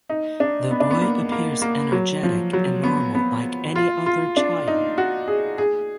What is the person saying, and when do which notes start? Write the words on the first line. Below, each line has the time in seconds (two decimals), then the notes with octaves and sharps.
The boy appears energetic and normal like any other child.
0.10 D#4
0.40 D4
0.71 B3
0.80 D4
0.91 B3
1.01 A#3
1.32 A#3
1.62 A#3
1.92 F#3
2.23 F3
2.53 F#3
2.83 B3
3.15 B3
3.76 F4
4.06 F4
4.37 D4
4.67 D#4
4.98 F#4
5.28 G#4
5.58 G#4